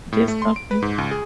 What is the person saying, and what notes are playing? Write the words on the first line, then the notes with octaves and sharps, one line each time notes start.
just something
A2
A3
C6
D7
B4
G#2
C#2
G#4